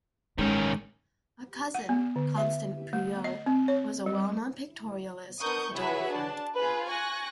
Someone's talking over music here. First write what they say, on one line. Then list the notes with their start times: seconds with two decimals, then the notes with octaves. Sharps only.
A cousin, Constant Puyo, was a well-known Pictorialist photographer.
0.38 A1 D#3 G#3 C#4
1.75 F#5
1.89 B3
2.16 D3
2.38 E5
2.93 A3
3.24 D#5
3.46 C4
3.68 C#5
4.06 G3
5.39 B3 D4 A#4 C#6 D#6 G6
5.73 E4 F#4 G#4 B4 C#5 E5
6.11 D4 A5
6.56 F4 G#4 B4
6.87 G#5 C#6 F#6 A#6